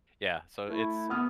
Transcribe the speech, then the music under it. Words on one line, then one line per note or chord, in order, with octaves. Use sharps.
Yeah, so it's
A3 E4
B3 F#5 D#6 F6